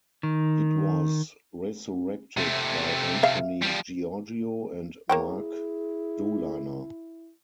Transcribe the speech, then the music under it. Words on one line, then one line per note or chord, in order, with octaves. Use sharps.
It was resurrected by Anthony Giorgio and Mark Doliner.
D#3
C3 A3
E5 F5
F3 G3
A#3 E4 G#4 C#5 G5